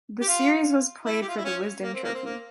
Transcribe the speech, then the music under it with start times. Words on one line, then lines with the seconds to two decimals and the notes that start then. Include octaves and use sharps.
The series was played for the Wisden Trophy.
0.21 G4
0.28 F4
1.05 E4
1.21 G4
1.28 F4
1.37 E4
1.45 C#4
1.83 A#3
1.94 C4
2.04 A#3
2.14 C4
2.25 A#3